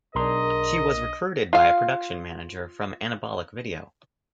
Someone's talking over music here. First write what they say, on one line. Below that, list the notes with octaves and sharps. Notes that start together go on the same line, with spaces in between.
She was recruited by a production manager from Anabolic Video.
B1 D4 G#4 A#4 D#5 A#5 C6
F4 F5